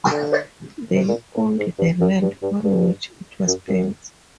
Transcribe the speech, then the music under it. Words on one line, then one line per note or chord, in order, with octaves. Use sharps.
They owned the land on which it was built.
D3
C3
A#2
A2
G#2
G2
F#2
G2
G2
G2
F#2
F#2